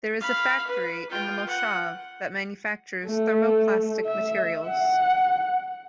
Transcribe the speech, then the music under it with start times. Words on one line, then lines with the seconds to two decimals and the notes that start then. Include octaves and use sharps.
There is a factory in the moshav that manufactures thermoplastic materials.
0.21 F5 B5
0.67 B4
1.10 F4 G5
1.47 F#5
3.06 A3
4.06 E5
4.66 F#5